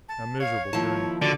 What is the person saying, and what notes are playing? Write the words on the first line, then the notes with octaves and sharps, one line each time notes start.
A miserable journey.
A5
C#5 F5
D#2 F3 E4 A5
D3 F#4 D5